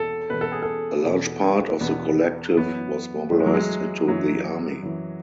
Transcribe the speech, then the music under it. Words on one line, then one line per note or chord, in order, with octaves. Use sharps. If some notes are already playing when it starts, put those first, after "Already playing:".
A large part of the collective was mobilized into the army.
Already playing: E2 B2 A4
E2 B2 B4
A4
G#4
A4
E2 B2
E2 B2 B3
F#2 E3 B3
F#2 E3 A3
G#3
F#3
G#3
F#2 E3 F#3
F#2 E3